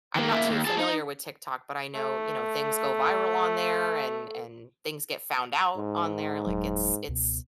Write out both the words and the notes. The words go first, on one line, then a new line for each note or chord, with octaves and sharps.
I'm not too familiar with TikTok, but I know, you know, things go viral on there and and things get found out on there. Like, it's it's
D#3 A#3
A#3 E4
D#2
G#4 A5
D#4
A3 A4
G#2
D#1 F#3
C#2 B2